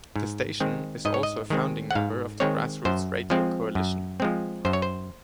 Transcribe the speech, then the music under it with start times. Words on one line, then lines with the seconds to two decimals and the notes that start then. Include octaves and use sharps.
The station is also a founding member of the Grassroots Radio Coalition.
0.16 G#2
0.60 D#3 G#3 C4
1.05 G#2 D#5
1.14 C#5
1.23 D#5
1.50 D#3 G#3 C4
1.91 F#5
1.95 G#2 F5
2.40 D#3 G#3 C4 C#5
2.85 F#2 C5
3.30 F3 G#3 C4
3.75 F#2
4.20 F3 G#3 C4
4.65 F#2 C5
4.73 C#5
4.82 C5